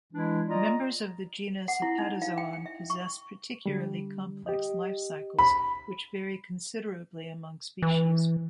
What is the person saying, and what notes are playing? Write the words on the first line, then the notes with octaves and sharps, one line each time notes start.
Members of the genus "Hepatozoon" possess particularly complex lifecycles which vary considerably among species.
E3 G#3 D4 E4
F4 D5 D#5 A#5
F#5
E4
D#4
F5
G5
G5
E5
C#6
D3 G3
G4 D#5
B5
E3